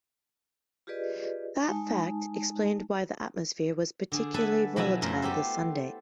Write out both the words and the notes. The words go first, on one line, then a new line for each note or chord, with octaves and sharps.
That fact explained why the atmosphere was particularly volatile this Sunday.
F4 G4 G#4 B4 D5 D#5
G#3 D#4 G#5 A5
D3 G#4
A4 B4 E5 F#5 G#5 A5
B2 F3 F#3 E4 G#5
F#2 A3 A#4 C5
B3 G4 A4 C5